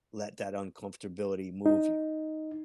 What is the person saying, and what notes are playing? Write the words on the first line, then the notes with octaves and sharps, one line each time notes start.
let that un-comfortability move you.
D#4